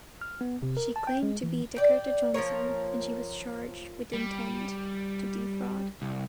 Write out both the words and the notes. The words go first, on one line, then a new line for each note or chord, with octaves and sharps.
She claimed to be "Dakota Johnson" and she was charged with intent to defraud.
F6
B3
C3
A#4
A5
G5
G#3
E3
D5 G5
F3 A#3 A#4 C#5
G3
C2